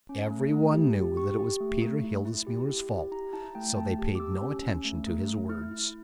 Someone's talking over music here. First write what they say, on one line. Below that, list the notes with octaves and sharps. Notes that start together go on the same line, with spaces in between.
Every one knew that it was Peter Hildesmuller's fault, so they paid no attention to his words.
C#4
A3
A3
G4
G4
G4 C#6
G4
A3
A3
E4
E4
G4
E4
G4
E4 A#5
E4 A5
A3 G5
A3 A5
G4
D6
G4 E6
C#4
C#4
A3
A3
A3
E4 F6
E4